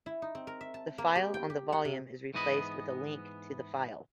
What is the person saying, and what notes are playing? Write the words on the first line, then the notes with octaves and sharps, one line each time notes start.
The file on the volume is replaced with a link to the file.
E4
D#4
C4
A#4
E5
A5
A#3
G4
G5
G4
F#5
C3
G#2 E3 B3 D#5 B5